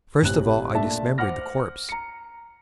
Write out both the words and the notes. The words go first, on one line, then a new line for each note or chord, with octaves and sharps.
First of all I dismembered the corpse.
A1 C3 F#6
A#2 A3 D4 E5 A5
C5 F#5 D6 F6 A#6
A#5 C#7